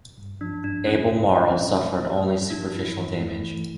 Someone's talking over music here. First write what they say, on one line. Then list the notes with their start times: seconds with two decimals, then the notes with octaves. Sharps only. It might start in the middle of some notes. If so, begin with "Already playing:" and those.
"Albemarle" suffered only superficial damage.
0.18 G2
0.41 F3 D4
0.64 G2 D4
0.87 E2 C#4
1.11 C#3
1.34 D4
1.57 A#2
1.81 A3
2.04 G4
2.26 G2
2.50 F3 D4
2.73 G2 E4
2.97 E3
3.21 A3
3.44 E3